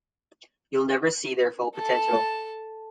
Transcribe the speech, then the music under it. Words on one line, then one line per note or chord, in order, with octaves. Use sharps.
You'll never see their full potential.
A4 A5